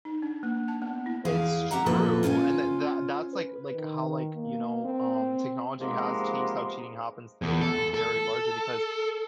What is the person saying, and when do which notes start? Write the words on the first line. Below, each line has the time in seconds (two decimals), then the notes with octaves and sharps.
It's true, and tha that that's like like how, like, you know, um, technology has changed how cheating happens today very largely because
0.05 D#4
0.22 D4
0.43 A#3
0.68 A5
0.82 B3
1.06 E4
1.25 E2 E4 G#4 F5
1.71 C4 G4 E5 F#5 A#5
1.86 A#2 F3 A#3 A4 B4
2.23 C#4 F4 C5 D5 G#5
3.33 B4
3.75 D#3
4.35 A#3
4.84 C4
5.80 G#2 C3 F3 G#3 A#3 B3
7.42 E2
7.61 A4
7.94 A4